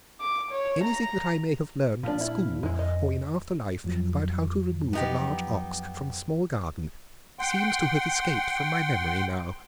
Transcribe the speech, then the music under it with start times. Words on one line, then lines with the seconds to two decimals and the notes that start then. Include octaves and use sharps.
Anything that I may have learned at school or in after life about how to remove a large ox from a small garden seems to have escaped from my memory now.
0.21 D6
0.51 C#5
0.84 A#5
2.03 A#2 F3 D4 F6
2.21 E4
2.63 F2 G#3 E4
2.79 D#5
3.84 F2 F3 F#3
4.93 B3 D#4 G4
7.39 F#5 G5 C6